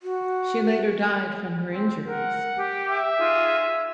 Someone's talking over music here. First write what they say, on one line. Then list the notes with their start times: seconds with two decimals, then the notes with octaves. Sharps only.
She later died from her injuries.
0.03 F#4
1.73 C4
2.07 A#4 F#5
2.57 G4 G5
2.88 E5
3.18 D#4 F4 G#4